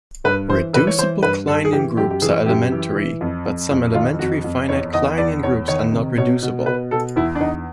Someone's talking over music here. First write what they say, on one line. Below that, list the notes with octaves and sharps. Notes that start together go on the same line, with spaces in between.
Reducible Kleinian groups are elementary, but some elementary finite Kleinian groups are not reducible.
G2 B4
E3 C5
E3 B4
C#5
E3 C5
G2 B4
G2 A4
G#4
E3 G4
F#2 G4
G4
E3 G#4
F#2 G4
E3
E3
F2
F2
F2
D#3 F4
F2 F#4
F2
E2 C#5
E2 D#5
E2 D5
E2 C#5
D#3 C#5
C3
B2 C#5
B2
B2 B4
B2 A4
E2 E4
D4
E2 D#4